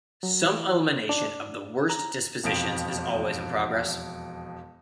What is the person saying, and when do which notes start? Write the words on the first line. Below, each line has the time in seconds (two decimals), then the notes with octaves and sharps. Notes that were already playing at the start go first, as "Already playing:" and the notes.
Some elimination of the worst dispositions is always in progress.
0.23 F#3
0.45 E3
1.09 D4
1.90 A#5
2.44 E1 F2 D7